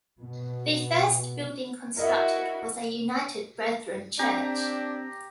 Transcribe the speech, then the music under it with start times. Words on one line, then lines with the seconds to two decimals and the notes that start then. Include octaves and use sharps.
The first building constructed was a United Brethren church.
0.20 B2
1.97 E4 F#4 A#4 D#5 E5
4.19 C4 D4 G4 A#5